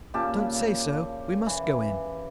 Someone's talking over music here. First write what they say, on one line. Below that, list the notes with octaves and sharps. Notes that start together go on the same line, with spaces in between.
'Don't say so; we must go in.
A#2 C#3 G4 A5
E3